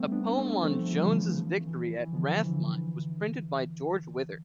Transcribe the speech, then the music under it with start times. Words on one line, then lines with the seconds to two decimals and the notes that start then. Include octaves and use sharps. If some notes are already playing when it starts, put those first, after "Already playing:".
A poem on Jones's victory at Rathmines was printed by George Wither.
Already playing: G3 A3 B3 C4
0.12 B3 D4
0.38 A3 C4
0.63 F3 A3
0.90 F3
0.97 G3
1.04 D3 F3
1.16 E3
1.67 E3
1.93 E3
2.12 D3 F3
2.31 E3
2.47 E3
2.51 D3
2.71 E3
2.97 D3